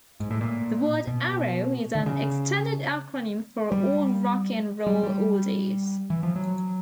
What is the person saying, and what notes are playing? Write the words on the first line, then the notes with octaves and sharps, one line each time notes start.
The word "Arrow" is an extended acronym for "All Rock and Roll Oldies".
G#2
A2
A#2
B2
D3
C#3
G3
G3
G3
E3
F3
F#3